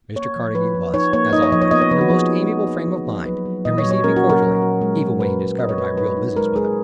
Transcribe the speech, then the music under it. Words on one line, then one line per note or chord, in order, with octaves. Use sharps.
Mr. Carnegie was as always in a most amiable frame of mind, and received me cordially, even when he discovered my real business with him.
A#3 C#5
F3
F3 B4
F3
D#4 C#5
A#3 C#5
D#4 D#5
C#5
F3 D#5
C#5
B3 D#5
C#5
F3 B4
F#4
F3 G#4
D#4
F3
F3
F3
F3
F#3 B4
F#3
A#2 D#5
C#5
F#3
C#5
C#4 A#4
F#4
F#3
A#4
F#3
F#3
G#3
G#3
G#3 B4
G#3
G#3 D#5
C#5
G#3 B4
G#3 B4
D#4
G#3 A#4
G#3 G#4